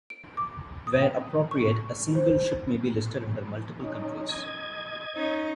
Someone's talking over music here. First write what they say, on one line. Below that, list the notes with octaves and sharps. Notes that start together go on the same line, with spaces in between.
Where appropriate, a single ship may be listed under multiple countries.
D7
D6
D#6
G5
C#6
C5
C#4 D#4
D#5 G#6
C#4 D#4